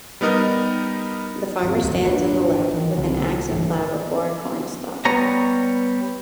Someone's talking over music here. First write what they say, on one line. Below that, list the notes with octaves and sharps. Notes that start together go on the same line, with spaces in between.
The farmer stands on the left with an ax and plow before a cornstalk.
G3 B3 D#4 A#4 D#5
G#1 F2 F4
C#2 F3 F#3
G#1 A#2 F3 D4 B4 D5
D#3 E3
C2 D3
A1 G2 E3
G3 B3 C#5 A#5